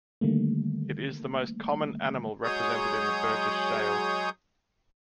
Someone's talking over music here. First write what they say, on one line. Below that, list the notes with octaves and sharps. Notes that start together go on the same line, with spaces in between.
It is the most common animal represented in the Burgess Shale.
D3 D#3 G3 A3 A#3
F#3 G#3 G#4 C#5 D#6 G6